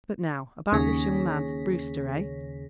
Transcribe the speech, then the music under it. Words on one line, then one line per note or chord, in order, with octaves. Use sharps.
But now about this young man--Brewster--eh?
D#2 C#3 G#4 C#5 A#6 B6